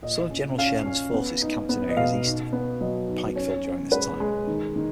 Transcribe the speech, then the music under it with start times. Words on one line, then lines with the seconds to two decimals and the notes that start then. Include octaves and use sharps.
Some of General Sherman's forces camped in areas east of Pikeville during this time.
0.02 A#2 D#5
0.30 C#4
0.58 C#4 F5
0.86 C#4
1.14 B3
1.42 D#4
1.69 B3
1.89 D#5
1.97 B2 F5
2.25 D#4
2.53 B3
2.81 F#3 D#5
3.08 D#4
3.36 C#4 C#5
3.64 C#4
3.91 G#3 B4
4.20 G#3
4.47 D#3
4.76 D#3